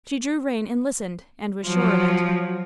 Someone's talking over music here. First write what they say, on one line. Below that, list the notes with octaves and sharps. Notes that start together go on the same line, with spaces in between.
She drew rein and listened, and was sure of it.
F3 F#3